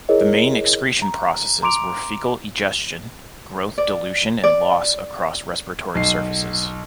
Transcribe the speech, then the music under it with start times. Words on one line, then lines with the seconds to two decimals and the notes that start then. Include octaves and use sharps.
The main excretion processes were fecal egestion, growth dilution and loss across respiratory surfaces.
0.09 E4 G#4 A#4 C#5 D#5
1.02 A#5
1.62 A#5 C6 D6 D7 F7
3.78 D5
4.44 D5
5.95 B1 C7